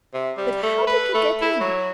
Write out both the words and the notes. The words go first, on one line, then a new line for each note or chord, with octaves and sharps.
"But how did you get in?"
C3
G3
A3
B4
A3
E4
F#3